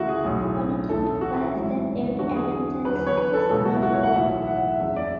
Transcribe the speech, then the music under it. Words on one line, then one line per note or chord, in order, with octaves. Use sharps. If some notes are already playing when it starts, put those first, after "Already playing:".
Auditing requires that every attempt at access be recorded.
Already playing: D2 C#3 E3 E4 F#4
G#4
B1 A2 F#3
B1 A2 E3 A4
F#4
E4
E4
A1 G#2 F#3
E2 D3 F#3 F#4
G#4
G#4
E2 D3 F#3 B4
B4
C#5
B4
A4
C#2 B2 F#3 A4
F#4
E4
F#4
C#5
F#5
B1 A2 E3 E5
E5
F#5
F#5
E5
F#1 E2 C#3 E5
D5